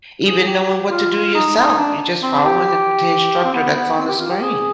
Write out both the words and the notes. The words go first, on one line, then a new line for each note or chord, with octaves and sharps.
even knowing what to do yourself. You're just following the t instructor that's on the screen.
G#4
G4
G4
F4
F4
D#4
D#4
D4
C4
G4
C4
B3
B3
C4
G4
F4
G4
G#4